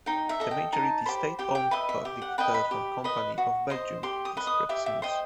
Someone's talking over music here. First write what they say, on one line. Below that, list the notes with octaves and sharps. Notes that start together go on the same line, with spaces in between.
The majority state-owned public telephone company of Belgium is Proximus.
D#4 G5
E5
A4 D#5
G5
D#4 A5
G4 C5 B5
G4 G5
G5
B4 D#5 E5
E5
G4
F#5
B4 D#5 G5
B5
G4
B4 D#5
F#4
C5 D#5
G4 C6
D#6
B4 D#5
D#6
G4 E5
E5
C5 D#5 G5